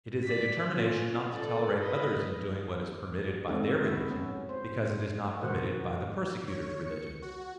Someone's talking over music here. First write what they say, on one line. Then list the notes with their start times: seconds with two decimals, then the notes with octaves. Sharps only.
It is a determination not to tolerate others in doing what is permitted by their religion, because it is not permitted by the persecutor's religion.
0.24 D5 B6
0.67 C#4 F4
1.35 A4 D5
1.78 B4 D#5
3.27 G3
3.48 G#3 C4 D#4 A4
3.85 E4 F#4 E5
4.11 B3 C#4
4.49 C5
5.41 B2 D#3 F#4 A#4 C5 F#5
6.48 C#5
6.87 C#7
7.22 F#4